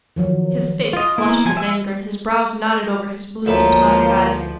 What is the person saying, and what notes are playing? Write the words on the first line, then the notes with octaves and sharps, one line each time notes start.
His face flushed with anger, and his brows knotted over his blue Teutonic eyes.
D#3 F3 F#3
F4 D#5
A#3 B3 E4
F3 G#5
E5 G#5 E6
D2 F3 A#3 E4 B4 C#5 A#5